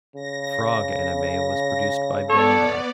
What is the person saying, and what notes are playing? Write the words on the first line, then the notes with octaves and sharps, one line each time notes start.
Frog anime was produced by Bandai.
C#3 A#6
B3 A4 C#5 D5